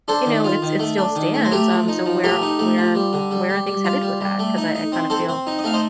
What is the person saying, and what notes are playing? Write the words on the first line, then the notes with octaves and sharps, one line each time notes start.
you know, it s it still stands. Um, so where where where are things headed with that? 'Cause I I kinda feel,
D4 A4 C5
D#3
F4
D#3
A3
D4
D#3
A3
C5
A3 G4 A#4
F3
D#4
F3
A3 G4 A#4
D#4
A3
F3
G3
D3
G3
G3
G3
F4
G3
G3
A3
D#4
D#4
C4
C4 A4 C5
C4
D#4
D#5
A3 F5
C5 D#5